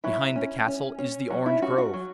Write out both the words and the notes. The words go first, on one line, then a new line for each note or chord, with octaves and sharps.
Behind the castle is the orange grove.
F#3 E4
C#4
C#4
C#4
F#3 F#4
E4
C#4 F#4
F#4
F#3